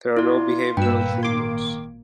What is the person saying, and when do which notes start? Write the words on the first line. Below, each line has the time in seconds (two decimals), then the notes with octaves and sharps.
There are no behavioral treatments.
0.17 E4 F4 D5
0.77 G#1 G2 A#2 A#3 B4 G5 E6
1.23 D#3 C6 D6 G#6